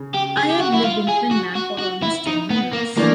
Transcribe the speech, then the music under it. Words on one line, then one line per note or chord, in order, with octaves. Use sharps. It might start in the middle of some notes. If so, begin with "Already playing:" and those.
I have lived in Finland for almost ten years.
Already playing: C#3
G4
G#4
G4
F#4
E4
F4
G#4
F#4
F#4
F#4
E4
D#4
B3
A#3
E3 A3 A#3 D4